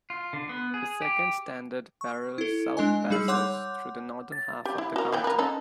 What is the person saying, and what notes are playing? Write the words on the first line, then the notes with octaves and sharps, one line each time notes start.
The second standard parallel south passes through the northern half of the county.
F4
D3
B3
G#4
G4
C#6
E4 A4
G#3 D4 D#5 G#5
G3 D#4 G#4 E6
C#5 F#5 C6 D6 F#6 G6
A6
G4
E4
F#4 A#4
D#3 E3 G5
A#4 B4
C#4 D#4 A4